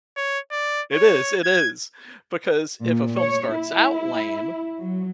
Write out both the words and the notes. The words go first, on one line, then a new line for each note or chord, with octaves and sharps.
It is, it is. Because if a film starts out lame
C#5
D5
C#5
G#6
A#2
C#5
E4
F#3